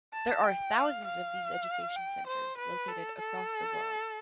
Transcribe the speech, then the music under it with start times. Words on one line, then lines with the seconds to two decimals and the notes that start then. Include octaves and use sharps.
There are thousands of these education centers located across the world.
0.13 A5
0.43 G5
0.74 F5
1.05 F5
1.96 G5
2.27 C5
2.58 B4
2.88 A4
3.19 A4